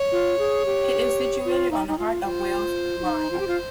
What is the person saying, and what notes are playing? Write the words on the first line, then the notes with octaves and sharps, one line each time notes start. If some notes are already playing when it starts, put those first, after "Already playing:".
It is situated on the Heart of Wales Line.
Already playing: C#5
F4
G#4
G4
F4
D#4
D#4
F4
F4 C5
F4
D#4
F4
G4
F4